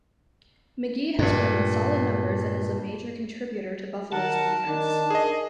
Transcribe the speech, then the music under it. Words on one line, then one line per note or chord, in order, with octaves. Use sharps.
McGee has put in solid numbers and is a major contributor to Buffalo's defense.
G2 A#2
D#3 A#4 F#5 A5
D#3 D4
G#4 A#4 D#5